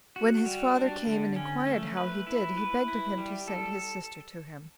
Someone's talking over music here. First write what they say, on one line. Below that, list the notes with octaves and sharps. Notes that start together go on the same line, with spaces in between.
When his father came, and inquired how he did, he begged of him to send his sister to him.
F#4
G3
D4
D3
C#4
A3
B4
E4
B4
E4
G3
A4